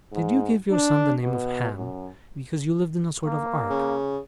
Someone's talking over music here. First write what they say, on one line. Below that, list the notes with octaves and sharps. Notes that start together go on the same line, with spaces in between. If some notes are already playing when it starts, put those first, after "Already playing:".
'Did you give your son the name of Ham, because you lived in a sort of ark?'
G#2
D4
B2
F#2
A#3
C#3